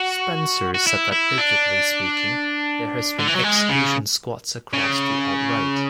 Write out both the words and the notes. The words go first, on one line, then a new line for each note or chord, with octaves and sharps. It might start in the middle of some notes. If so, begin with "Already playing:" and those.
Spencer said that digitally speaking, there has been execution squads across the alt-right.
Already playing: F#4
F#4
E4
E4
D4
D3
E3
F#3
G#3
C#3
C#3